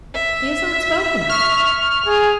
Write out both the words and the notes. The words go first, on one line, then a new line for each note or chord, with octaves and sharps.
"He has not spoken of it."
E5
C#6 F6
G#4